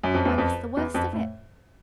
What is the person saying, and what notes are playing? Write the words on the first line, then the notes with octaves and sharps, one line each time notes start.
'Why, that's the worst of it.
F#2
F2
E2
F2
E2
F2
A2